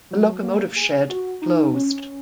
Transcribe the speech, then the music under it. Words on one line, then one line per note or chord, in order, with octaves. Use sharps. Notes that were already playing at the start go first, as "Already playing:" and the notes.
The locomotive shed closed.
F#3
A#3
G#4
F#4
D#4
C#4